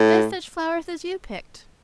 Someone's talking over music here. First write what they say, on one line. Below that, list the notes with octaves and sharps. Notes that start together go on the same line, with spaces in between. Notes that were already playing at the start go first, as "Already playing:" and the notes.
Just such flowers as you picked.
Already playing: A2